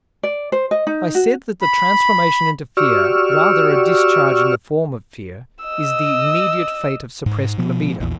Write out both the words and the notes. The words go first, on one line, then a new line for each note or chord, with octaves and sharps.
I said that the transformation into fear, rather a discharge in the form of fear, is the immediate fate of suppressed libido.
D5
C5
D#5
D#4
F#4
B5
F#4 G4 D5 C#6 E6 F6
D#5 E6
G#2
B2 F3 B3
A#1 E2